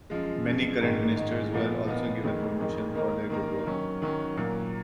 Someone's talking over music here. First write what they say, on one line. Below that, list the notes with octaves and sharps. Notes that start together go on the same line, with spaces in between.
Many current ministers were also given promotion for their good work.
F#2 F3 G#3
F#2 F3 G#3
G#2 D#3 G#3
G#2 D#3 G#3
A#2 F3 B3 D#4
A#2 F3 B3 D#4
F2 D#3 G#3 D#4
F2 D#3 G#3 D#4
D#3 A#3 D#4 A#4
D#3 A#3 D#4 A#4
D#3 F#3 C#4
D#3 F#3 C#4
A#2 F#3 A#3